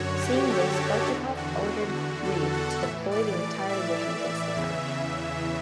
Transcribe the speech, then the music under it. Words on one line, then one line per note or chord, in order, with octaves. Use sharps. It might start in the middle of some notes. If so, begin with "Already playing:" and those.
Seeing this Gorchakov ordered Read to deploy the entire division against the French.
Already playing: F#2 D3 F#4 C#5
G4
A4
F#4
E2 D3 F#4
F#4
F#4
F#4
A4
F#5
A2 E3 E5
D5
D5
E5
E2 C#3 E3 E5